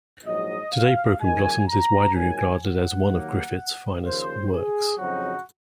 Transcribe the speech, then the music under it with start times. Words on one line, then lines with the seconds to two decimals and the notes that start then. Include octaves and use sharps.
Today, "Broken Blossoms" is widely regarded as one of Griffith's finest works.
0.25 A#1 G#2 F#3 D#5
0.72 F5
1.20 F#2 D#3 G#3 D#4 G#5
1.68 A#5
2.14 G#2 D#3 F#3 A#3 G#5
2.62 F#5
3.09 D#2 D#3 F#3 A#3
4.03 D#2 C#3 F3 A#3 C5
4.51 G#4
4.98 F2 C#3 F#3 C4 D#4 F#4